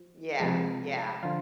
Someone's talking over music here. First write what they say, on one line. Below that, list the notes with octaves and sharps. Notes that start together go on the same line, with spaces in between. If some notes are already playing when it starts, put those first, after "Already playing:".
Yeah, yeah.
Already playing: F3
C3 F3 G#3
D3 F3 F4